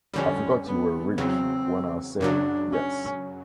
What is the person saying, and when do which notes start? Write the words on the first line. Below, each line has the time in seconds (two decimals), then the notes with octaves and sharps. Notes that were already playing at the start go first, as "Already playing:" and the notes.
I forgot you were rich when I said 'Yes.'
0.14 F2 D3 G3 C#4
0.66 B3
1.18 E2 C#3 F#3 C4
2.20 F#2 C#3 F#3 D4
2.72 C#4